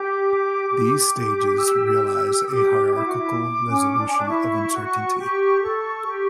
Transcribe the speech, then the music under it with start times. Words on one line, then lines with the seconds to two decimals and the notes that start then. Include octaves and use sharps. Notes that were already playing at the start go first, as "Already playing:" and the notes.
These stages realize a "hierarchical resolution of uncertainty".
Already playing: G4 D6
0.69 G4
1.59 E6
2.48 G4 D6
2.93 E4 D6
3.06 F#4
3.18 E4
3.68 C#4
3.97 D4
4.07 C#4
4.16 D4
4.28 E4 C#6
4.73 F#4
5.18 G4
5.63 A4
6.07 G4